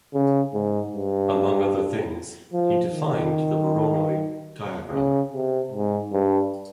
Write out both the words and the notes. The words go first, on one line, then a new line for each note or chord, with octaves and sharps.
Among other things, he defined the Voronoi diagram.
C#3
G#2
G2
F3
D#3
C#3
C3
G#2
G2